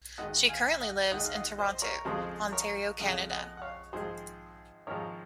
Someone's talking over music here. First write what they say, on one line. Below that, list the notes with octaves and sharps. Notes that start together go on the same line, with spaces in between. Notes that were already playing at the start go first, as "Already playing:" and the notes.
She currently lives in Toronto, Ontario, Canada.
D#2 D#3 G#3 D#5 F#5
F5 G#5
D#5 F#5
D#2 D#3 G#3 D#5 F#5
F5
D#5 F#5
C5 D#5
A#4 C#5
F2 C#3 F3 G#3 G#4 C5
A#4 C#5
F2 C#3 F3 G#3
D#5 F#5
F#5
C#5 F5
G#1 G#2 F3 G#3 G#4 C5
G#1 G#2 F3 G#3 A#4 C#5